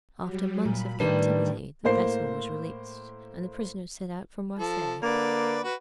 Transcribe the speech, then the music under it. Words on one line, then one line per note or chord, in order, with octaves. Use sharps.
After months of captivity the vessel was released, and the prisoner set out for Marseilles.
F#3 G3
A#2 B5
A2 D#3 G3 D4 B4 D5
A2 A#3 C5 C7
F3 A4
D3 A#3 B4 D5
F#4 B4